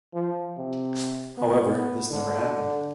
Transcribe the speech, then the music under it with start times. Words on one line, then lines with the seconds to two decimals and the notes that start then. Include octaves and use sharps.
However, this never happened.
0.13 F3
0.57 C3
1.38 B3
2.10 D3